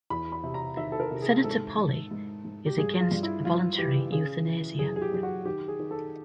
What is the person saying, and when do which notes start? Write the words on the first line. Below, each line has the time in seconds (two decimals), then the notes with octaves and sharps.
Senator Polley is against voluntary euthanasia.
0.10 E2 B5
0.32 B5
0.44 C3
0.54 A#5
0.77 D#3 E5
0.92 A4
1.00 A#4
1.11 C3
1.22 G#4
1.44 G#2 A4
1.78 G#2
2.11 G#2
2.45 G#2
2.66 G4
2.78 G2 G#4
3.00 F4
3.11 G2
3.23 E4
3.45 G2 F4
3.78 E3 G4
4.12 C#3 G#4
4.45 E3
4.79 F#2 G#4
4.96 G#4
5.02 G4
5.12 F#2 G4
5.23 F#4
5.45 D#3 G4
5.68 G#4
5.79 D#3
5.91 A4